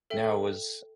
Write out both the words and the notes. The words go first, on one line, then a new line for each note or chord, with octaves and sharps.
Now was
A4 E5 G5